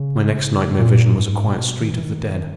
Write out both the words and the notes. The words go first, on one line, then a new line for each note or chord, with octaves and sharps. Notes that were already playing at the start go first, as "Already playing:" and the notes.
My next nightmare vision was a quiet street of the dead.
Already playing: C#3
A#2
G#2
B2
D#3
E3
D#3